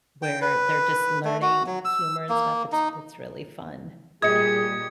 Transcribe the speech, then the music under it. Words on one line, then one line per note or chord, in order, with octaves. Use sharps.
where they're just learning humor and stuff, it's it's really fun.
G5
B4
A3
F#4
F#3
E6
A#3
D#4
A#2 G3 G4 G#4 D#5 G#6 C#7